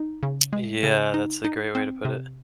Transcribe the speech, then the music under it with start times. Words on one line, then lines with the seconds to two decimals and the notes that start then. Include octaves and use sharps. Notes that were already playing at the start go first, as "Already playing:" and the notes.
Yeah, that's a great way to put it.
Already playing: D#4
0.23 C#3
0.53 G#3
0.83 C#3
1.14 D#4
1.44 D#4
1.75 C4
2.05 C3